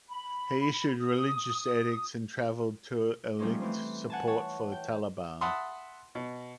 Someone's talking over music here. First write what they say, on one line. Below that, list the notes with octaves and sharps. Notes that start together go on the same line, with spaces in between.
He issued religious edicts and travelled to elicit support for the Taliban.
B5
D#6
F3 G3 A3 C4 C#4 D#4
E3 A3 C4
F#5 G#5 A5
C#5 A5
G5
E5 F#5 A5 B5 C6 D#6
B2